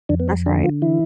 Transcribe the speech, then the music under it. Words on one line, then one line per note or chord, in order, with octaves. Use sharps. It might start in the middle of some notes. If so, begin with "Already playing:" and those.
That's right.
F2 D3 D4
B3
C4
D3 D4
F3 F4
E3 E4